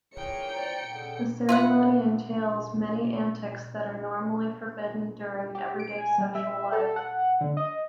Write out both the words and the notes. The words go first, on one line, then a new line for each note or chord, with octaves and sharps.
The ceremony entails many antics that are normally forbidden during everyday social life.
A#2 E3 G#4 A#4 C#5 G5 C#7
C5 D5 A#5
C#3 G3 A4 F#5
F4 E5 F#5
G4
D7
G#5
G3
E5
A4
F#5
D3
D#5